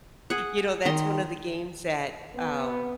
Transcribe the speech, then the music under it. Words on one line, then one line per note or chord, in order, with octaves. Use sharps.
you know, that's one of the games that, um,
G#4 F#5
D#3 A#5 C6
B3